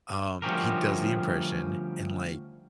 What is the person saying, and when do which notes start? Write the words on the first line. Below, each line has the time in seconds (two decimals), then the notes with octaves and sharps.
um, he does the impression and, like
0.42 D2 F3 G3 C#4 G4 A#4